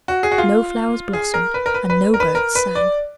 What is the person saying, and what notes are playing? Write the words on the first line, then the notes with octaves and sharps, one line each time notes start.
No flowers blossomed, and no birds sang.
F#4
G#4
F#4
F4
G#4
A#4
B4
A#4
B4
B4
A#4
B4
A#4
B4
D5